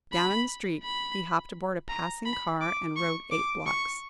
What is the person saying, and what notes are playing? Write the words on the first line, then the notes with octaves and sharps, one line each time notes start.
Down in the street he hopped aboard a passing car and rode eight blocks.
B5
B5
A#5
B5
D6
C#6
D6
C#6